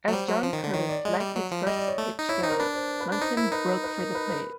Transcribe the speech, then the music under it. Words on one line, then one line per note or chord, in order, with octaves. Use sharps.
As John Curtis let his first pitch go, Munson broke for the plate.
F#3
G3 C5
F#3
F3
D#3
D3
D#3 C#5
D5
G#3 D#5
G3
F#3
F3
G3 D#5
D5
C#5
A3
D#4
E4 C#5
C5
D#4
A#4
D4 B4
C5
B4
D4 C5
D#4 C5
E4 A#4
D#4 B4
B4
A#4
B4
B4